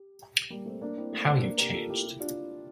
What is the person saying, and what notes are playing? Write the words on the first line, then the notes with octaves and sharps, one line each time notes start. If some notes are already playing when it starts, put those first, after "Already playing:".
How you've changed!
Already playing: G4
G3 A#3
A3 C4
A#3 D4
C4 E4
A3 C4
D4
A3 C4
A#3 D4
G4 A#4
F4 A4
E4 G4
E4 G4
D4 F4